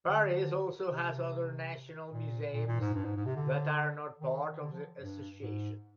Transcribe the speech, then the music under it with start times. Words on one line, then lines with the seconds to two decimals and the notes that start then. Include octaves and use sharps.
Paris also has other national museums that are not part of the association.
0.07 D3
0.88 C3
2.13 A#2
2.53 A#2
2.67 A#2
2.81 G#2
2.94 G2
3.05 G#2
3.16 G#2
3.26 C3
3.36 D3
4.19 D#3
4.60 D3
4.73 F3
5.01 G2
5.41 G#2